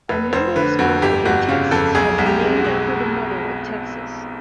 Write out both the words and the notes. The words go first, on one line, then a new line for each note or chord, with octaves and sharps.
A number of schools within Texas have been named after the Mother of Texas.
F1 B4
F1 C5
D3 B4
F2 F#4
G1 G4
G1 F#4
C#3 F4
F2 A4
B1 G#4
B1
G4
G#3
F#4
B2